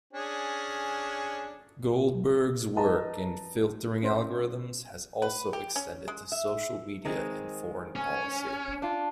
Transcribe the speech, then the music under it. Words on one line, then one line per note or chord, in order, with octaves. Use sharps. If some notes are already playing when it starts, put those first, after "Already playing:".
Goldberg's work in filtering algorithms has also extended to social media and foreign policy.
C#4 D4 G#4
B4 D#5 A5 A#5
C#4 C5
B4
G4
C#4
G#3
E5
D#3 G#3 C4
C#4
D4 F4